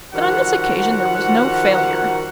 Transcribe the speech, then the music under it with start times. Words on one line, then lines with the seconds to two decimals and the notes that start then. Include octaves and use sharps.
But on this occasion there was no failure.
0.14 D#3 F3 G3 F#4 F#5